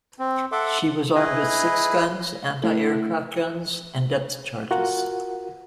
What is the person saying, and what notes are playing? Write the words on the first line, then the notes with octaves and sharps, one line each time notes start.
She was armed with six guns, anti-aircraft guns and depth charges.
C4
A4 E5 F#5 C6 D6
E4 G#4 B4 D#5
A2
F4 F#4 A#4 F#5